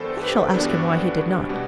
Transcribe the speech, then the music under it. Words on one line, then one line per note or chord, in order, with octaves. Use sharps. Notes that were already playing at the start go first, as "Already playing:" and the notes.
I shall ask him why he did not.
Already playing: G2 E3 G3 B3 A4 C5
G4 B4
G2 E3 G3 B3 D4 F#4
B2 G3 B3